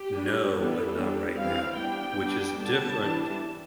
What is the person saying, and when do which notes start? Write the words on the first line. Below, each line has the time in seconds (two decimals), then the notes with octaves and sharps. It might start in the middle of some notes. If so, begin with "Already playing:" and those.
No, but not right now, which is different.
Already playing: G4
0.14 G3 D4
0.56 E3 G3 B3 D4 A4
0.96 G3 B3 D4
1.37 E3 G3 C4 F5
1.79 G3 B3 D4 G5
2.20 G3 B3 D4
2.60 D3 G3 B3 D4 A5
3.01 E3 G3 D4